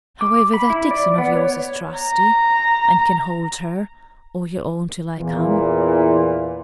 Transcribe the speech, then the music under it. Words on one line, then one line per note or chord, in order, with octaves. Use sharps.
However, that Dixon of yours is trusty; and can hold her, or your own, till I come.
D6
B5
E4
D5
B3
C#5
A#5
E2 A#2 E3